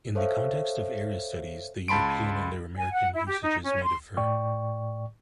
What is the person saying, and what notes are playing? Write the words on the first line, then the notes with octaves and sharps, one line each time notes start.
In the context of area studies, the European and the American usages may differ.
A4 C5 C#5 E5 F5
C#2 A5 B5 C6 D7
G#5
F#5
E4
G4
D#4
C#4
C6
A2 D5 G5 C#6